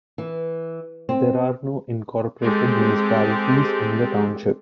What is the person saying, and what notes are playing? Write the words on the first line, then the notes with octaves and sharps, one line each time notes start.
There are no incorporated municipalities in the township.
E3
C4
G#3 C4 G4 A4